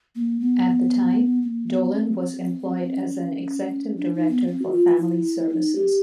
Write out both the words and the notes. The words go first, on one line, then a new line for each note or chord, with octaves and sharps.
At the time, Dolin was employed as an executive director for family services.
A#3
B3
B3
A#3
B3
C#4
C4
C#4
D4
D#4
B3
C4
F#4
F4
E4
E4
D#4
G4